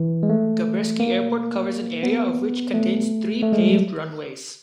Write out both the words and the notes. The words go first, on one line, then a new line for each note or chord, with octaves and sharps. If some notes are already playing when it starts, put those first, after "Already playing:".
Gabreski Airport covers an area of which contains three paved runways.
Already playing: E3
G#3
A3
A#3
B3
A3
A3
G#3
G3
F#3